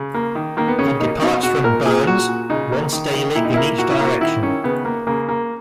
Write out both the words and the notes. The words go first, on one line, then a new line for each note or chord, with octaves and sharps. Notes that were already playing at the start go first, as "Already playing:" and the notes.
It departs from Burns once daily in each direction.
Already playing: C#3
A#3
D#3
D#3 A#3
B3
C#3 C#4
A#3 D#4
B2 D#4
B2 F#4
A#2 A#4
A#2 G#4
A#2 F#4
A#2
C#3 D#4
A#3
D#3
D#3
A#2 E4
D#4
A#3 E4
A#2 F#4
E4
A#3 F#4
D#3 E4
D#3 C#4
C#3 B3
A#3
C#3 A#3
A#3